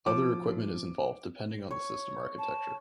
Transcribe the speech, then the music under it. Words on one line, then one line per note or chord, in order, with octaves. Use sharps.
Other equipment is involved depending on the system architecture.
F3 D6
C#5
A5